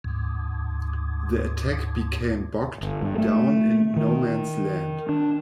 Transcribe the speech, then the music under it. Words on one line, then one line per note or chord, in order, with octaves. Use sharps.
The attack became bogged down in no man's land.
D2 G#2
G1
G2
A3
D#3
D4